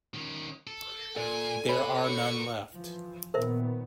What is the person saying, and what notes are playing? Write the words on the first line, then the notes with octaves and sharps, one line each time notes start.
There are none left.
D#3 C#4
A4
A#2 A4 D5 G#5
F#4 B4 C#5 B5
C#6
E3 F3
A#2 D#3 B3 A#4 C5 E5